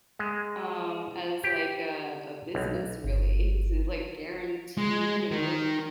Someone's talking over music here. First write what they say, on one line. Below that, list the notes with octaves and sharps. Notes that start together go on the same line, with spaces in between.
Um, as, like, a, a business really to, like, guarantee, you know,
G#3
G4
B1
G1
G#3
D#3